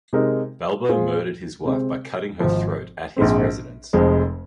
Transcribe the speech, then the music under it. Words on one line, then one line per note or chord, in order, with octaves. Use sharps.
Balbo murdered his wife by cutting her throat at his residence.
C3 G#3 C4 D#4 A#4
A#2 G#3 F4 G#4 C5
C3 G#3 C4
G#1 G#2 F3
A#1 G#2 G#3 C4
F1 F2 F3 G#3